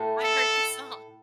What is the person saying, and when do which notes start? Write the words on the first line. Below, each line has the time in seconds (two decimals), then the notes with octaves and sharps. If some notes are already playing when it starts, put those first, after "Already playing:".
I heard the song.
Already playing: A2 A3
0.23 A4